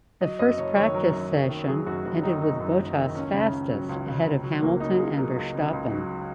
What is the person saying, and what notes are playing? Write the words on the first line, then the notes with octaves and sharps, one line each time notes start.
The first practice session ended with Bottas fastest ahead of Hamilton and Verstappen.
F#3 D#5
F#2 D#5
F#1 C#5
D#3 C#5
F#3 A#4
F#2
F#1
D#3
F#3 G#4
F#2 F#4
F#1 F#4
D#3 D#4
F#3 D#4
F#2
F#1
D#3
C#2 C#4
C#3
C#2
F#3
C#2
C#3
C#2
F#3
C#2 A#3
C#3 D#4
C#2 G#4
F#3 A#4
C#2
C#3
C#2
F#3